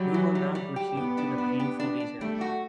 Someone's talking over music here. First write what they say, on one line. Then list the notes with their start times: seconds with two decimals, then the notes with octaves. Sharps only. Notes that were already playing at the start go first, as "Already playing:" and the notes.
We will now proceed to the painful details.
Already playing: F#3 G3
0.14 E3
0.35 G3
0.55 G3
0.76 G4
0.97 B3 G4
1.18 D4
1.38 D4
1.60 G4
1.80 D4
2.00 D4
2.21 G3 A3
2.41 F#4